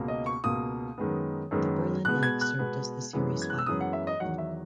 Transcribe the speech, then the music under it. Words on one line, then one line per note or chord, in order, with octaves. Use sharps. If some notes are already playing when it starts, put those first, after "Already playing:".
The Berlin leg served as the series final.
Already playing: C#2 B2 A#3
D#5
C#6
C#2 B2 A#3 D#6
F#2 D#3 G#3 B3
F#2 D#3 G#3 B3
B2 G#3 B3 F#6
G#6
F#6
B2 G#3 B3
F#2 E3 G#3 B3
G#6
F#6
E6
F#2 E3 G#3 B3 D#6
F#5
E5
D#5
E2 D#3 F#3 F#5
E5